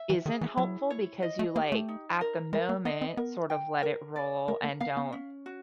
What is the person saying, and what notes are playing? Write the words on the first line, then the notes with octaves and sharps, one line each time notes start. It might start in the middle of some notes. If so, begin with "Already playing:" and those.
Isn't helpful because you, like, at the moment, sort of let it roll and don't
Already playing: E5
E3
D#3 G#4
E3
F#3 E4
C#5
D#5
A3
A#3 G4
A3
D#4
A#4
G#3 A#4
A#3
B3 D#5
C4
B3 A#4
G5
A#4
D5
A3 A#4
A#3
B3 F5
B3
C#4
F#4